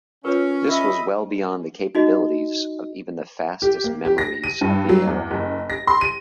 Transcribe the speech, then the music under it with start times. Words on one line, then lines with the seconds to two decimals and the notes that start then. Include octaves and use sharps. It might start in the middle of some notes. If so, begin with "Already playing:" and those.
This was well beyond the capabilities of even the fastest memories of the era.
0.25 C#4 F4 A#4 B4 C#5
0.69 D#5 E5 B5 E6
1.95 D#4 F#4 D#5
3.62 G4
3.84 A#3
4.05 G4
4.18 A#6
4.44 D#7
4.61 G2
4.89 F#3
5.07 E2
5.31 F#1
5.70 A#6
5.87 C6
6.01 D#7